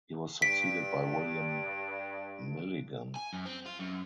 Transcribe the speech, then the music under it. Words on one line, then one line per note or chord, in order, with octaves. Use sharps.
He was succeeded by William Milligan.
G2 B6 D7
G#5
F#2
C4
F4
F#2